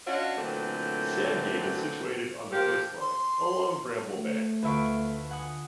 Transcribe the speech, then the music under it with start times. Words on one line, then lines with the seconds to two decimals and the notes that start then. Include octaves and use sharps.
Sandgate is situated on the coastline, along Bramble Bay.
0.06 C#4 D4 F4 F#4 C#5 D#5
0.37 A#2 D3 E3 F#3 A3 C4
2.53 F3 A#3 G4
3.00 C6
4.14 A3
4.63 D2 F4 B4 E5 C#6 D7
5.31 F#5 G#5 D#6